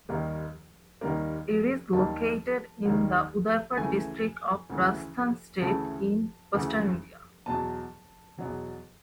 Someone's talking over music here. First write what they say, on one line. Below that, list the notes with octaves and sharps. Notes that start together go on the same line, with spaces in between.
It is located in the Udaipur District of Rajasthan State in western India.
D#2 D#3 G3 A#3
D#2 D#3 G3 A#3
D#2 D#3 G3 A#3 A5
D#2 D#3 G3 A#3
D2 C#3 E3 A3 G#5
D2 C#3 E3 A3
D2 C#3 E3 A3 A5
D2 C#3 E3 A3
E2 B2 F#3 A5
E2 B2 F#3